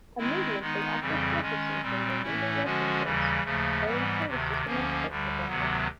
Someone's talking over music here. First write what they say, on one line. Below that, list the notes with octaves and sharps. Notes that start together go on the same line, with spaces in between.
Immediately after surfacing from their winter resting place, Hermann's tortoises commence courtship and mating.
D#3 G#3 C4 E4
D#3 G#3 B3 D#4
F2 C#3 E3 G3 C4
D#3 G#3 C#4
A#2 G3 C4
A2 E3 A3 C#4 E4
D3 F3 G#3 C#4 F#4
D#2 C#3 E3 G3
D#2 C#3 F3 A3
G#2 E3 G3 B3
D2 C3 D#3
D2 D3 F3 A#3 C#4
D2 D3 G3
D2 C3 D#3 F#3 B3